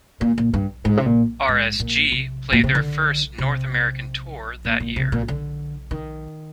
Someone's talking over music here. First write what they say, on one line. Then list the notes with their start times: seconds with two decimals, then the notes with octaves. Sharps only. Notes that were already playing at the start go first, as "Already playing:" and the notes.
RsG played their first North American tour that year.
0.21 A#2
0.38 A#2
0.54 G2
0.85 G#2
0.97 C3
1.06 A#2
1.48 G#2
1.80 A#2
2.12 C3
2.53 A#2
2.64 C3
2.75 D3
3.38 C3
4.65 A#2
4.80 A#2
4.96 C3
5.12 A#2
5.28 D3
5.91 D#3